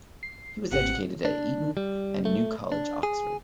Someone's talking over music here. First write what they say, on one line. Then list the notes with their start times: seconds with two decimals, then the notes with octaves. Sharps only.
He was educated at Eton and New College, Oxford.
0.23 C7
0.72 G#1 C4 G4 F#5
1.25 D4
1.77 G3
2.25 A3
2.72 D4
3.03 G#4